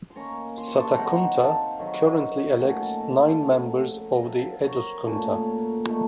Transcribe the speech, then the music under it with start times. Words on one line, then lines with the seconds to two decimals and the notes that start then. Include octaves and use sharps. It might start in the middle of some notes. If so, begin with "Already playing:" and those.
Satakunta currently elects nine members of the "Eduskunta".
0.10 C6
0.16 D#3 A#3 C#4 A#5 C#6
0.57 C6
0.68 C#6
0.78 A5 C6
0.97 C3 F#3 C4 D#4 F#5 A#5
1.38 F5 A5
1.79 D#3 F#3 C4
2.60 A#2 A3 C#4 D#5 F#5
2.81 F5 A5
3.01 F5 A5
3.21 A5 C6
3.42 C#3 F3 A3 F#5 A#5
4.12 A#5
4.23 C3 F#3 C4 F5 A5
4.64 A#4 C#5
5.05 A#2 A3 C#4
5.86 A#2 A3 D#4